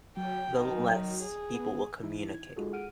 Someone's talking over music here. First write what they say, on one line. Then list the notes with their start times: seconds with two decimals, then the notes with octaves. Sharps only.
the less people will communicate.
0.17 F#3 G5
0.59 D#3
1.22 G#4
1.54 B3
2.03 E3 D#4 E4
2.34 G#6
2.56 G#3 D#4 F4 F#4 G#4 A4
2.73 G#4 F#5 F6 D7 D#7